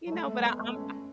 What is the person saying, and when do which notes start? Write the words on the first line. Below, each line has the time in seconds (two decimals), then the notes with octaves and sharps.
You know, but I I'm
0.07 F#3
0.12 G#3 A3
0.28 A3
0.39 F#3
0.43 G#3 B3
0.59 A3
0.75 C#4